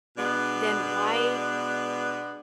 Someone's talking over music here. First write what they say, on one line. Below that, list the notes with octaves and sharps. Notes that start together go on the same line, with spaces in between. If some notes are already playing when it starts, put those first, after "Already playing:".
then why
B2 G#3 B3 D4